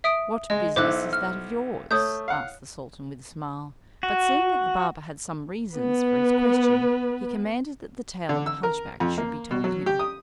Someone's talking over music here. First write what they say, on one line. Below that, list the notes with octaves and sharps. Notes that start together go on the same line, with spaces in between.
"What business is that of yours?" asked the Sultan with a smile; but seeing that the barber had some reasons for his question, he commanded that the tale of the hunchback should be told him.
E5 D#6 D7
G#3 D#5
B1 E4 C5 D6 F#6
F6
A3 C#5 D#6 G6
F5 F#5
F#4
B3 B4
D3
E6
A#4
F2
A#3
B2
F#3
G4
D#6